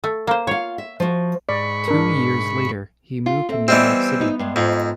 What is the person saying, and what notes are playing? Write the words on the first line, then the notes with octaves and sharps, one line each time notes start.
Two years later he moved to New York City.
A3
A#3 C5
F4 C#5 F5
E5
F3 F#4
G#2 D5 B5 C#6
D4 A#4
F4
C4 A4 E5
E3 G3 B3 C4 G4 D#5 E5
D#4
G2 G#3
F2 G#2